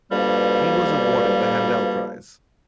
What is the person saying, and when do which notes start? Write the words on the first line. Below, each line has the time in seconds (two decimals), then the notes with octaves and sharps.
He was awarded the Handel Prize.
0.12 D2 G2 B2 F3 G3 A#3